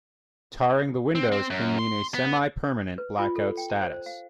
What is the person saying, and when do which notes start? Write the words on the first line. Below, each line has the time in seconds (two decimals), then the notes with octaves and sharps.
Tarring the windows can mean a semi-permanent blackout status.
1.15 C4
1.32 C4
1.50 F#2
1.79 C6
2.15 B3
2.98 B4
3.19 F4
3.36 A4
3.57 G5
3.70 A5
3.82 C5
3.93 C5
4.06 F5